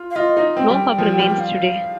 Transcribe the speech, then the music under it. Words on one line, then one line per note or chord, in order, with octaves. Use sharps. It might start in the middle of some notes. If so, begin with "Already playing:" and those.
No pub remains today.
Already playing: F4
F5
F4 D#5
D#4
C4 G5
G3
F3
G3
G5
F5